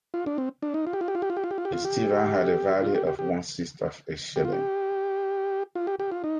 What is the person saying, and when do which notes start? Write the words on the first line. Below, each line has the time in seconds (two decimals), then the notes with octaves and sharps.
A stiver had a value of one sixth of a shilling.
0.14 F4
0.26 D4
0.38 C4
0.62 D4
0.74 D#4
0.87 F4
0.93 G4
1.01 F4
1.08 G4
1.15 F4
1.22 G4
1.30 F4
1.37 G4
1.44 F4
1.51 G4
1.58 F4
1.65 G4
1.73 F4
1.85 G4
2.82 F4
2.95 G4
3.07 G4
3.19 G4
4.36 G4
4.45 F4
4.53 G4
5.75 F4
5.87 G4
6.00 G4
6.11 F4
6.24 D#4